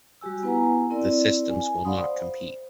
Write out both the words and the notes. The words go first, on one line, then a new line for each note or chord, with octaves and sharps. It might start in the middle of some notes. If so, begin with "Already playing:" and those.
The systems will not compete.
G3 F#4 G4 G#5 E6
B3 E4 B4 F#5 G#5 A#5
C4 E4 A#4 D5
G#5
D5 F5 F#5 B5 C6 D#6
C5